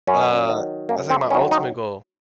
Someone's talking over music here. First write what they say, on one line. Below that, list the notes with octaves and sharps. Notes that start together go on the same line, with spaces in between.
uh, that's, like, my ultimate goal,
F#2 C#4
D#3 F#3
F#2 A#3
C4
D#3 F#3 C#4
D#4